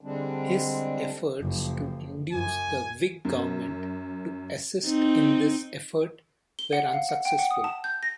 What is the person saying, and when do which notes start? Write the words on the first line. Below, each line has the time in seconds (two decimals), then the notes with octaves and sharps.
His efforts to induce the Whig government to assist in this effort were unsuccessful.
0.01 D3 G3 G#3 C4 D4
1.41 F#1 F3
2.32 F#2 G#5
3.25 F#2
4.85 C4 D#4
6.59 G7
6.73 F#5
6.93 F5
7.09 F#5
7.25 G5
7.39 F#5
7.51 D#6
7.64 A5
7.84 G6
8.03 A#6